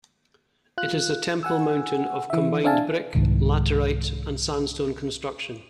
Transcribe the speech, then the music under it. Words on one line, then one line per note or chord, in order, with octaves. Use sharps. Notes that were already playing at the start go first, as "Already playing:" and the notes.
It is a temple mountain of combined brick, laterite and sandstone construction.
F4 F#6
F#5 G#5 E6
E3 E5
C4 D4 E5 F5 G#5 A5
C2 G#2 D#3